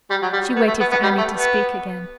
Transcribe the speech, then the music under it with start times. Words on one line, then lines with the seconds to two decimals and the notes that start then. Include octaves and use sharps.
She waited for Annie to speak again.
0.10 G3
0.22 F#3
0.33 G3
0.56 B3
0.67 A3
0.80 B3
0.91 B3
1.03 G3
1.18 A3
1.34 B3